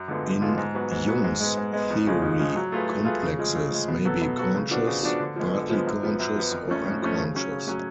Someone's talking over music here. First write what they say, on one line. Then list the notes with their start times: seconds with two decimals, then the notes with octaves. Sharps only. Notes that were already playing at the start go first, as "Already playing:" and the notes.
In Jung's theory, complexes may be conscious, partly conscious, or unconscious.
Already playing: F#2
0.08 D3 G#3 B3 F4
0.24 F#2
0.41 D3 G#3 B3 F4
0.57 G#2
0.74 F#3 B3 F#4
0.91 G#2
1.07 F#3 B3 F#4
1.24 G#2
1.40 G#3 B3
1.57 G#2
1.73 G#3 B3
1.90 F2
2.07 C#3 F3 G#3
2.22 F2
2.40 C#3 F3 G#3
2.56 F#3
2.72 A3 F4 G#4 B4
2.89 F#3
3.05 A3 F4 G#4 B4
3.22 C#3
3.39 F3 G#3
3.55 C#3
3.71 F3 G#3
3.88 B2
4.05 F#3 B3 F#4 A4
4.21 B2
4.37 F#3 B3 F#4 A4
4.54 C#3
4.71 F3 B3 D4 F#4
4.87 C#3
5.03 F3 B3 D4 F#4
5.20 D3
5.36 F3 G#3 B3
5.54 D3
5.70 F3 G#3 B3
5.86 F#2
6.03 F3 B3
6.20 F#2
6.35 F3 B3
6.52 F2
6.68 F3 A3 C#4
6.85 F2
7.02 F3 A3 C#4
7.18 C#3
7.35 F#3 C#4
7.51 C#3
7.68 F#3 C#4